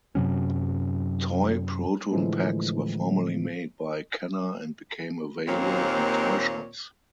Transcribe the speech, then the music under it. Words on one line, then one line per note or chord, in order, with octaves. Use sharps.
Toy proton packs were formerly made by Kenner and became available in toy shops.
F#2 C3 F#3 C#4
A2 D3 E3 F3 G#3 A3
D#2 A#2 A#3 C4 C#5